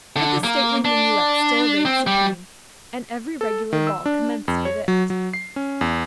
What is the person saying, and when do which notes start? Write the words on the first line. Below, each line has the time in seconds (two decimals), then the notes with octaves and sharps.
But the stately minuet still reigned supreme; and every regular ball commenced with it.
0.16 D3
0.44 A#3 A#4
0.85 D4
1.85 C4
2.07 G3
3.41 A4
3.73 D#3
3.87 E6
4.06 D4
4.48 F2
4.65 C#5
4.88 F#3
5.10 F#3
5.34 C7
5.56 C#4
5.81 E2